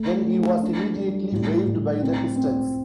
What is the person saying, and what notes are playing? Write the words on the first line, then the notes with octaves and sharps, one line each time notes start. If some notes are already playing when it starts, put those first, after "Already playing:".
Then he was immediately waived by the Pistons.
Already playing: A3
A3
D4
G3
A2
A2
C4
C4